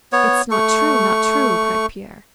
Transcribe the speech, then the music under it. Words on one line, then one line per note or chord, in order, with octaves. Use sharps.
"It's not true, not true!" cried Pierre.
B3 C#5
A3 C#6